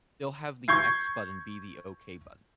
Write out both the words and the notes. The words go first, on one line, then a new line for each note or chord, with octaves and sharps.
they'll have the x button be the okay button,
C#6 G6 G#6 C7